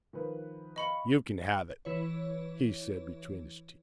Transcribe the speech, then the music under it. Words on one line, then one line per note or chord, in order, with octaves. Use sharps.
"You can have it," he said between his teeth.
D#3 F3 B4
D#5 F5 B5 C#6 C#7
E3 E4 B4 C#5